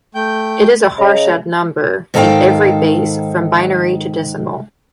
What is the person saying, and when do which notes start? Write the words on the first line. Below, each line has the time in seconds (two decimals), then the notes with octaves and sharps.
It is a Harshad number in every base from binary to decimal.
0.15 A3 G5 G6
0.98 C#3 D#5 A#5
2.14 G#2 D#3 A4 A#4 F5 G5